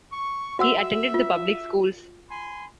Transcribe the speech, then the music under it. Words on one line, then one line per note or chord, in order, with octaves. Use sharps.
He attended the public schools.
C#6
F#4 E5 F#5 E6
F4
G#5 B5 C6